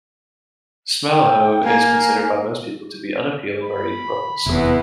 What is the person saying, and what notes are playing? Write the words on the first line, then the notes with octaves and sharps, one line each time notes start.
"Smalahove" is considered by most people to be unappealing or even repulsive.
G5
A#3 G#5
B5
F1 E2 B3 E4